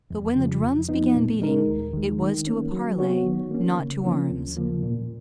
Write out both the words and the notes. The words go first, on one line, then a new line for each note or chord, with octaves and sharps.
But when the drums began beating, it was to a parley, not to arms.
F2
C#3 F3
F2
F3 B3 D#4
A#2
G#3 D#4 A#4
D#2
D#3 G#3
D#3
A#3 C#4
F#3
B3 F#4 C#5
D#3
A#3 C#4
C#3
F3 A#3 C#4
D#2
C#3 F3 A#3
A#2